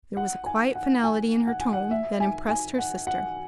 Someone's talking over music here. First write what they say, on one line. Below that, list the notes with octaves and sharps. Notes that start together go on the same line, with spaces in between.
There was a quiet finality in her tone that impressed her sister.
F#5
G#5
F#5
G#5
F#5
G#5
F#5
E5
G#5
G#5
F#5
F#5